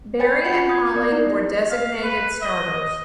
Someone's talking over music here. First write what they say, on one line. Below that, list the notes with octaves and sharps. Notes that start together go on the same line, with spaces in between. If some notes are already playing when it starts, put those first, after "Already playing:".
Berry and Hali were designated starters.
C#5 G5 G#5 B5 A6
F4 F#4 F#5 B5 A6 C#7
D#6 G6 G#6
B3 C4 D5
D#4 E4 A#4
F5
B4
D#5